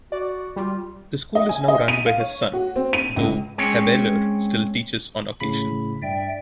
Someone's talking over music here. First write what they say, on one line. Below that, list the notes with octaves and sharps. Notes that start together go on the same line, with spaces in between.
The school is now run by his son, though Habeler still teaches on occasion.
F#4 D5
G3 F4
D#5
G#5
D#5
D#7
F5
C#5
F#4
C4
D#7
C#2
G#3 C4 C#4 C#5
A2 C#3 B5
G2 D5 E5 G5